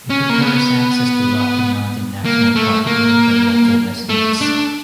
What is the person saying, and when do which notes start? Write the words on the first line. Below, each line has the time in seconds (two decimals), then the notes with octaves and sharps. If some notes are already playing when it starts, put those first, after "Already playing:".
It requires access to Rocky Mountain National Park even for local residents.
0.10 C#4
0.30 A#3
0.41 B3
2.25 A#3
2.56 A3
2.87 A#3
4.09 A3
4.41 D4